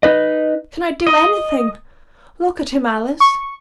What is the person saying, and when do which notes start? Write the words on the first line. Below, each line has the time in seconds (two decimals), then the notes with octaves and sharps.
Can I do anything? Look at him, Alice.
0.03 D#4 B4 D#5
1.07 D#5
3.20 C#6